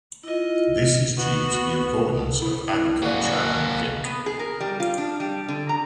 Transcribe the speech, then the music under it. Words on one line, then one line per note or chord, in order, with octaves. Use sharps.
This is due to the importance of agriculture in Vik.
E4 F4 D#5
B3 F#4
E4
A#3 F#4 G#4 C#5 D5
B3
G#4
A#4
G3
F4
D4
G3
D3
A#5